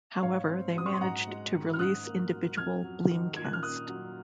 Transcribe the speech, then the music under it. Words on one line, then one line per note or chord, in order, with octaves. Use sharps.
However, they managed to release individual Bleemcast!
G#2 C#5 F5
C4
F#3 D#6
C#6
C6
G#2 F#5 A#5
G#3
D#3
F6
G#2 D#6 F#6
A#3
F#3
F2 F6 G#6
F#3
D#3
A#2 G#6
F#6
F6
A#3 D#6 F#6
F#3